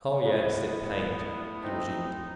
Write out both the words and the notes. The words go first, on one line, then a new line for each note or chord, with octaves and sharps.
"Oh yes, it paid," he resumed.
A2 B3
C4 D#4